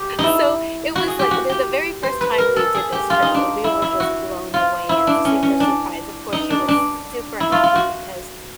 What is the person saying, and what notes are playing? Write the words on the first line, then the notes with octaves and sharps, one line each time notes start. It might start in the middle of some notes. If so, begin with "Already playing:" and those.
so it was, like the the very first time we did this trail, we were just blown away and super surprised, of course, she was super happy because
Already playing: G4
D#4
E4
F#4
G#4
G4
F#4
G4
C5
B4
A#4
A4
G#4
G4
F4
D#4
D4
E4
E4
F#4
F4
E4
D4
C#4
C#4
D4
D#4
D4
D4
E4
F4
F4
F#4